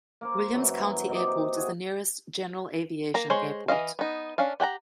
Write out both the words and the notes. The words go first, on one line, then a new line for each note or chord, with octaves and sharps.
Williams County Airport is the nearest general aviation airport.
A#3 A#4 C5
F#2 E3 F#3
C3 D#4 G4 D6
F#4 G#4
A#3 A#5
G#3 C5 C#5
E3 E4 D#5 F5
B3 D#4
C#4 D4 F5
G4 F#5 G#5 A#5